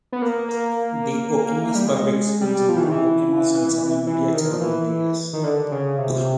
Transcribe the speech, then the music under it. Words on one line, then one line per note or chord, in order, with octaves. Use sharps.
The Okemos Public Schools includes Okemos and some immediate surrounding areas.
B3
A#3
A#3
G3
G#3
G3
F3
E3
D#3
E3
E3
D#3
F3
E3
D#3
D3
D3
C#3
C3